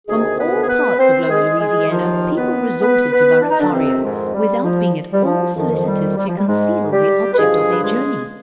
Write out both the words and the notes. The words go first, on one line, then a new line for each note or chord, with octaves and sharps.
From all parts of Lower Louisiana, people resorted to Barrataria, without being at all solicitous to conceal the object of their journey.
D2 C3 D#3 G#3 G#4
B3 B4
G#4
B3 B4
C4 C5
G#3 G#4
G#3 G#4
D#2 D#3 F3 F4
B3 B4
B3 B4
B3 B4
D4
D#4
D3 D4
F2 C3 D#3 C4
G#2 G#3
G3
F3
G3
F3
F2 D#3 F3
F3
G3
G3
F3
G3
G#2 G#3
G3 G4
B4
G2 D3 F3 G#3 G#4
B4
G#3 G#4